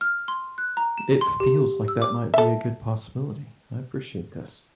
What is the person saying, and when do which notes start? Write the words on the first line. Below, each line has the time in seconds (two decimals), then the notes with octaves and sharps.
it feels like that might be a good possibility. I appreciate this.
0.01 F6
0.28 C6
0.58 F#6
0.77 A#5
0.98 E7
1.21 C6
1.40 G4
1.88 E6
2.02 D6
2.34 A4 E5